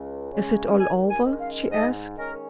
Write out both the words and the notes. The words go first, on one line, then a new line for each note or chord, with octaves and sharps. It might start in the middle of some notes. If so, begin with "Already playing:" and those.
"Is it all over?" she asked.
Already playing: C#2
C#3 G#3 C#4
D#2 G#5
G#5
D#3 G#3 C#4
F5
G#2 D#5
D#3 G#3 C#4 A#4